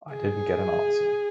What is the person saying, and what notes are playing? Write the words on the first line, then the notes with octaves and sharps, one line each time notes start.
I didn't get an answer.
G#4